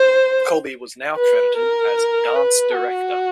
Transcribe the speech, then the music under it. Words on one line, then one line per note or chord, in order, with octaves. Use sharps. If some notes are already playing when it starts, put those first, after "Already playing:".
Colby was now credited as "Dance Director".
Already playing: C5
B4
A#4
B4
F#4